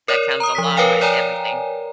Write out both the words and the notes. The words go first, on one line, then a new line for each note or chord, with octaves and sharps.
that comes along with everything,
A#4 C#5 D5
A#5 D#6
F3 D#6 B6
A#4 B4 C#5 F5 G5 G#5
A#4 C#5 D5 G5 G#5 A#5